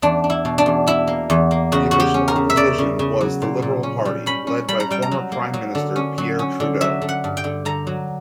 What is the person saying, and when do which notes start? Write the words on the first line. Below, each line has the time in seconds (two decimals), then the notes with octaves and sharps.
The Official Opposition was the Liberal Party, led by former prime minister Pierre Trudeau.
0.02 E2 D4
0.24 D4
0.30 E4
0.45 B2
0.58 D4
0.66 E2
0.87 D4 E4
1.07 A#3
1.30 E2
1.51 A#3
1.72 C#3 F#4
1.91 C#3 F#4
2.00 G4
2.14 C#4
2.28 A#4
2.36 C#3
2.50 E5
2.56 C#3 D5
2.78 C#3
2.99 C#3
3.21 F#3
3.42 A#2
3.62 A#2
3.83 C#4
4.05 G3
4.26 C#4 B5
4.47 C#4
4.68 G3 B5
4.80 A#5
4.91 G3 G5
5.02 A#5
5.12 F#3
5.32 A#3
5.54 F#3
5.75 D3
5.96 C#4
6.18 F#3
6.39 C#4
6.60 D3
6.81 F#3 E5
7.02 D3
7.09 F#5
7.24 G2
7.37 G5
7.44 D3
7.65 D3 A#5
7.87 F#3